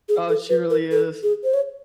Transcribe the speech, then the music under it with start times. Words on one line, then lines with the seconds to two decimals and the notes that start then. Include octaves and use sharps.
Oh, she really is.
0.09 G#4
0.29 A4
0.49 B4
0.70 A#4
0.92 A4
1.23 G#4
1.44 C5
1.54 C#5